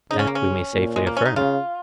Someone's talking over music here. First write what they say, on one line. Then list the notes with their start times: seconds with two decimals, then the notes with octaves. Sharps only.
That we may safely affirm.
0.11 C#3 D#4
0.19 C#4
0.27 A#3
0.35 C#4
0.74 A#2
0.96 G#3
1.07 A#3
1.17 C#4
1.25 D#4
1.36 C#3 F4